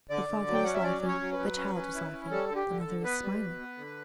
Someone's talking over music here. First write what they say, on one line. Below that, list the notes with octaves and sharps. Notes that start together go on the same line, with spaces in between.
The father was laughing, the child was laughing, the mother was smiling.
D3 D5
D3
F#3
G5
C#4 F#5
E5
F#3 D5
C#4
C#5
F#3
B4
F#3
C#4
C#4
E4
C#4
G3 A4
D3
G4
D3
A4
D3
B3 B4
G3
B2
B3
D3